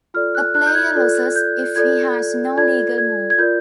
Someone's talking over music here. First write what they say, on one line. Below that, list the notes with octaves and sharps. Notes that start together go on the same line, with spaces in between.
A player loses if he has no legal move.
F4 A4 D5 F6
F#6
F#6
G6
G#6
F4 A4 D5
G6
F4 A4 D5 G#6
F4 A4 D5 G#6
G#6
G#6
F4 A#4 D5 G6